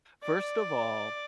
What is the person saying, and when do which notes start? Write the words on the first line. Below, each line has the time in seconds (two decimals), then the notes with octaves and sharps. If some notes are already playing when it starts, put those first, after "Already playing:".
First of all,
0.23 D5